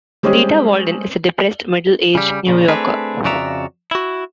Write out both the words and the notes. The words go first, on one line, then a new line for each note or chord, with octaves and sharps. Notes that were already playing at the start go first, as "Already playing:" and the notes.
Rita Walden is a depressed middle-aged New Yorker.
G3 G#3 C4 C#4 G4 G#4
C#3 G3
A#2 C#3
A3 C4 D4 G#4 B4
F2 C#3 F#4 D5 E5 A#5
E4 F#4